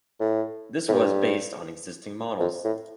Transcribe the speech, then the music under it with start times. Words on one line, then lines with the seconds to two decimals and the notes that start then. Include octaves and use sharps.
This was based on existing models.
0.21 A2
0.89 A2
0.94 G2
2.40 F2
2.65 A2